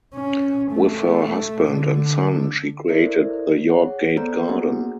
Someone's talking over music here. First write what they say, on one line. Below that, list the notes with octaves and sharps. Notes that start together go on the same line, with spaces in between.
With her husband and son she created the York Gate Garden.
C#4
A3
D3
E4 A4 A#4 C5 D5 E5
G#4 C#5 F#5
B3 A4 C5 D5 A#5 G6
A#3 B3 D4 F#4 G#4 F#5